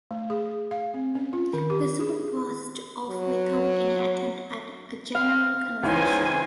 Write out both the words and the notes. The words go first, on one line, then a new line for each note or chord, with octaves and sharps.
The supper passed off without any attempt at a general conversation.
A3
G#4
F5
C4
C#4
F4
D#3
G4
G#4
F#3
F5
C#2 E3 D#4 C5 C#5 G#5 A5